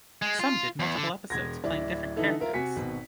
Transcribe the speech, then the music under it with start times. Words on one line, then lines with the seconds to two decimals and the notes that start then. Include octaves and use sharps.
Some did multiple episodes playing different characters.
0.22 G#3
0.39 F4
0.80 E2
0.97 D3
1.30 E1 G#6 A#6
1.64 D1 E4 D5
2.16 D3 E3 D#4 E4 A4
2.40 F4 A#4 E5
2.53 C3 F#4 G#5 B6 C#7
2.76 G#1 B2